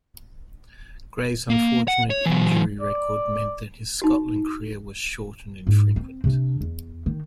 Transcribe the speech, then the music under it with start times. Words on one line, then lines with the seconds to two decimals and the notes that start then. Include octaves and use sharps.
Gray's unfortunate injury record meant that his Scotland career was short and infrequent.
1.50 A#3
1.88 F#5
2.10 C#5
2.26 E3 F#3
2.80 D5
4.02 D#4 F#4
5.67 G#2 E4
5.96 C4
6.24 C3 D4
6.61 E2
7.06 D#3